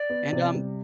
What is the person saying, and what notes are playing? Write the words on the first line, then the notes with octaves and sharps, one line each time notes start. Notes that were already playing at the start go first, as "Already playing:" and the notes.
and, um,
Already playing: D5
B3
C3
G3